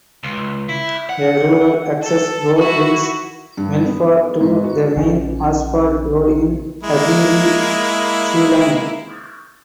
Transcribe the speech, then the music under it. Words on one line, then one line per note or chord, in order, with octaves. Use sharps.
A rural access road links Melfa to the main asphalt road in Hagere Selam.
C#2
E4
F#5
A4
E4 F#4
G2
B3
G#2
F#4
A#1 C#3 C#4
G#3 A#3 E4